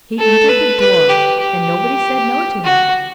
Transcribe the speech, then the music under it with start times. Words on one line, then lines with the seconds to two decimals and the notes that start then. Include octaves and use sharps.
He entered the door, and nobody said no to him.
0.18 A4
0.49 B4
0.79 B4
1.09 G4
1.40 G4
2.64 F#4